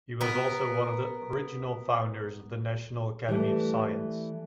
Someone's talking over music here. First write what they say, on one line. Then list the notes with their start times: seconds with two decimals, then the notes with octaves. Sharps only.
He was also one of the original founders of the National Academy of Science.
0.21 B3 A#4
3.28 E3 G3 A3